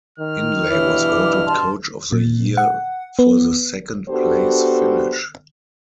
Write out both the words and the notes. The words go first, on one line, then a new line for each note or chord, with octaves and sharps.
Hindley was voted coach of the year for the second-place finish.
D#3 F6
G2 B2 E3 C#5
D6
A5 C6
A#2
F#5
B3
B3 D4 F#4 G4 A4 C5